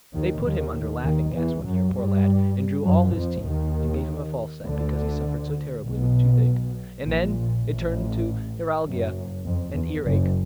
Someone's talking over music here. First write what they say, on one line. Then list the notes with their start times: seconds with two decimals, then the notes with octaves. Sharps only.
They put him under laughing-gas one year, poor lad, and drew all his teeth, and gave him a false set, because he suffered so terribly with toothache; and then it turned to neuralgia and ear-ache.
0.14 D#2 D#3
0.43 D#2 D#3
1.04 D#2 D#3
1.34 E2 E3
1.64 F#2 F#3
1.94 G2 G3
2.84 F#2 F#3
3.14 F2 F3
3.44 D#2 D#3
4.65 D2 D3
5.85 B1 B2
7.04 A#1 A#2
7.64 A1 A2
8.85 F#1 F#2
9.45 F2
9.75 E2
10.05 F#1 F#2